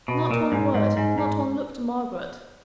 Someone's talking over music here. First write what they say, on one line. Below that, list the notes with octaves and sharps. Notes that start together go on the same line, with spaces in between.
Not one word: not one look to Margaret.
B2
A#2
G#2
G#2
G#2
G#2